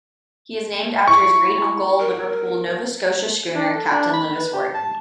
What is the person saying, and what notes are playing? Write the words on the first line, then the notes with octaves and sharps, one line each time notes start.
He is named after his great uncle, Liverpool, Nova Scotia schooner captain Lewis Wharton.
E4 C#6
A#4
D4
A4
D4
B5
B4
G4
A5